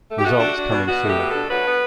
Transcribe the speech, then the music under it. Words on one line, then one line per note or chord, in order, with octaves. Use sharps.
Results coming soon.
A3
G4
A3 F#4
D4
D4
B2
B2 F#4
A3 G4
B2
D4 A4
F#3 B4
B3